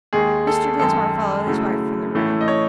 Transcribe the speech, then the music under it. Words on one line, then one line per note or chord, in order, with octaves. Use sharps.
Mr. Dinsmore followed his wife from the room.
D#2 D#3 G#3 G#4
A4
F#2 D#3 G#3 A4
C#3 F#3 A3 E4
A2 E3 A3 C#4 E4
D#5
C#5